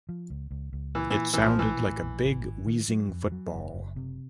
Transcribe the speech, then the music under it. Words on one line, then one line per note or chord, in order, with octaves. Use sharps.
It sounded like a big wheezing football.
F3
C#2
C#2
C#2
A#2 E3
E3
A#2
B1 E3
F3
A#1 E3
A2
A#1
G#1
G#1
D#3
F#3
F2
F#3
F#1
F#1
C3